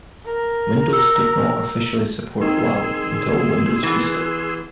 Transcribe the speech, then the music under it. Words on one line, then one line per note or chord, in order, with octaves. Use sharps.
Windows did not officially support Lao until Windows Vista.
A#4
E6
D#3 C4 D#4 G#4 C6 E6
E3 B3